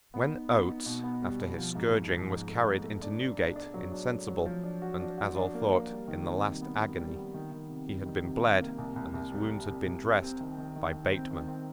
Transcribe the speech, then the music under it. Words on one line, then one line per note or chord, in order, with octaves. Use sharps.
When Oates, after his scourging, was carried into Newgate insensible, and, as all thought, in the last agony, he had been bled and his wounds had been dressed by Bateman.
B3
D#4
B3
D#4
B2
B3
G3
B2
F3
G#2
F3
F3
G#2
A3
G#2
A3
D4
D4
D4
D4
F#3
D4
A3
F#3
F3
D4
F#4
D4
F#4
D4
A#3
A#3
G3
D#3
C3
G3
B3
B3
G3
B3
D#3
D#3
C3
G3
D#3
C3
C3
A#3
C2
C2
C2
G3
G3
C2
C2
C2
C4
D#3
D#3
D#3
D#3
C4
D#3
C4